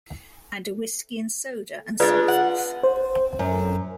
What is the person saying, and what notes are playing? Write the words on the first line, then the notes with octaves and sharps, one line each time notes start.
And a whisky and soda, and so forth.
G#3 D4 F4 B4 D5
F#5
C5
F#2